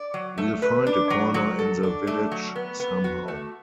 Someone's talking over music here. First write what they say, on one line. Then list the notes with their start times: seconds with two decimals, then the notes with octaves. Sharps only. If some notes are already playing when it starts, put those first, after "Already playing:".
We'll find a corner in the village somehow.
Already playing: D5
0.14 F#3
0.38 A3
0.62 B4
0.87 D4
1.10 F#3
1.34 F#3
1.59 A4
1.83 D4
2.07 A3
2.32 F#3
2.56 B3
2.80 B3
3.04 F#4
3.28 A3